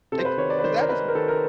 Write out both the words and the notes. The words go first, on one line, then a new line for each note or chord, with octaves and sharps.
Like, 'cause that is m
C3 A4
C5
B4
D#3 C#5
D5
B4
D#3 C5
A#4
D#3 B4
A#4
D#3 A4
A#4